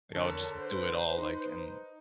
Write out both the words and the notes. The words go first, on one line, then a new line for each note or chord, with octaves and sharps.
like, I would just do it all like, and
D3 A#4 C#5 A5
B4 C5
D#4